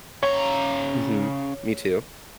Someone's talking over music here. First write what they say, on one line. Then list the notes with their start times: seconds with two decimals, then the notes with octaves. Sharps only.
Mhm. Me too.
0.23 C#3 C#5 A#5